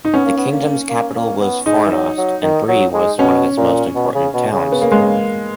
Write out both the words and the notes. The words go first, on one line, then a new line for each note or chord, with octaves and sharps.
The kingdom's capital was Fornost, and Bree was one of its important towns.
D#4
B3 C#4
A#3
B3
A#3
A#3
A#3
B3
G#3 D#4
E3
F#3
F#3
D#3
F#3
G#3
B2 C#4
A#2
B2
C#3
B2
C#3
B3
A#3
G#3
A#3